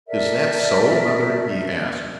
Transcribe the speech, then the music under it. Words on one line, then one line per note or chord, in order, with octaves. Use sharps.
"Is that so, mother?" he asked.
A4 A#4 D5 E5